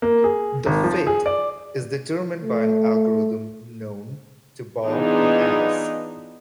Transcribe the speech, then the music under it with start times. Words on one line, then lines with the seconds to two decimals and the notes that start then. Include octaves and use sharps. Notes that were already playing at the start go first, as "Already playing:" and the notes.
The "fit" is determined by an algorithm "known" to Bob and Alice.
0.02 A#3
0.24 G#4
0.66 G#1
0.84 F3
1.07 G#4
1.26 D5
2.43 A3
4.85 E3 B3 D4 D#4 F4 G#4